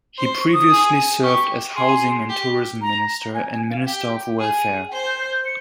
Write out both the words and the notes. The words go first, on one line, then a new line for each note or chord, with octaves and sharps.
He previously served as housing and tourism minister and minister of welfare.
C5 C6
C#6
D#6
G#4
G4 C#6
G#4 C6
G4
A#5
G#5
G#5
F5
G4 G5
G#4
G5
C5 G#5
G6
G6
G6
C#7